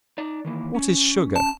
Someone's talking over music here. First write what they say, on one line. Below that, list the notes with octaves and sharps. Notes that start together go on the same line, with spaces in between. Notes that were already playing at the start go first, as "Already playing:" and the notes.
What is Sugar?
D#4 D5
D#3 E3 A#3
C#4
A5